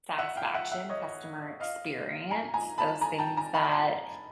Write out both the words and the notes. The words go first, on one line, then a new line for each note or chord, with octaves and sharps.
satisfaction, customer experience, those things that,
E5 F#5
F5 G5
E5 F#5
E5 F#5
C#5 D#5
D#5 F5
G#5 A#5
G#5 A#5
A5 B5
G#5 A#5
G5 A5
G#5 A#5
A5 B5
G#5 A#5